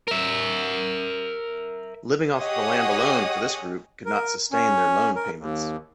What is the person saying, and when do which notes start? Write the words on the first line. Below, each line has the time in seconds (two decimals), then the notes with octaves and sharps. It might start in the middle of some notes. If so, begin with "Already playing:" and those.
Living off the land alone for this group could not sustain their loan payments.
0.08 A#4 E5
2.37 G4 G#4 C#5 D#5 F#5 D#6
4.05 A#4
4.52 C#4
5.16 A#4
5.39 D#2